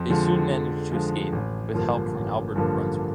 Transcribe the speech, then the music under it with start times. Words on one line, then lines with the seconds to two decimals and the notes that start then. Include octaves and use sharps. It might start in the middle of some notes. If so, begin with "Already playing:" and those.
They soon managed to escape with help from Albert of Brunswick.
Already playing: F2
0.10 D3 F3 G#3
0.51 F2
0.92 D3 F3 G#3
1.33 A1
1.74 G2 D3 F3 A#3
2.15 A1
2.56 G2 D3 F3 A#3